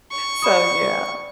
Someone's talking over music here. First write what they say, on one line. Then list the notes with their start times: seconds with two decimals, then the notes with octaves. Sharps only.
So yeah.
0.12 C#6
0.42 D5 B5 D#6